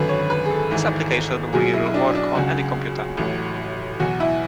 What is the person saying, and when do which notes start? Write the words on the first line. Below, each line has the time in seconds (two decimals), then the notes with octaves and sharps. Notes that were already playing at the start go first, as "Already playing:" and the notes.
This application will work on any computer.
Already playing: G#1 F#2 D3 B4
0.09 C#5
0.30 B4
0.45 G#4
0.50 A4
0.71 G#1 G#2 E3
1.53 B1 B2 F#3 G#4
1.74 E4
1.85 E4
1.94 D4
2.15 D4
2.35 C#2 C#3 F#3 F#4
3.17 A1 A2 F#3
4.00 E2 B2 F#3 F#4
4.20 E4